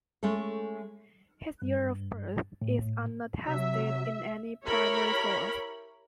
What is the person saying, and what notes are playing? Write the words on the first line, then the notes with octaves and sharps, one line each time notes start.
His year of birth is unattested in any primary source.
G#3 A3 C#4 A4
G2
A2
C3 F#3 E5
E4 G4 A#4 C#5 B5